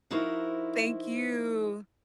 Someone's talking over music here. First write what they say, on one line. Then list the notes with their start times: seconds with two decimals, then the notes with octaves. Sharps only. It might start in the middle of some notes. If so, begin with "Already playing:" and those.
Thank you.
0.11 F3 D#4 E4 F#4 A#4 C5